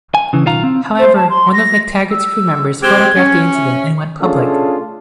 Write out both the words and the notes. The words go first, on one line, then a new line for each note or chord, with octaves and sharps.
However, one of McTaggart's crew members photographed the incident and went public.
G#5
C#3 E3
B1 D#3 F4 F5 A#5
C4
C5
A5
C6
A#6
E6
G#3 C4 G4 G#6
C#4
E5
A3 C#4 D4 F4 G#4 A4